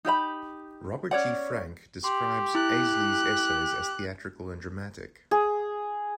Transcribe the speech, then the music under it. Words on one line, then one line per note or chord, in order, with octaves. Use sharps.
Robert G. Franke describes Eiseley's essays as theatrical and dramatic.
D#4 G4 E5 B5
C#4 C#5 D5 F#5
G4 C6
E4 F#6
G#4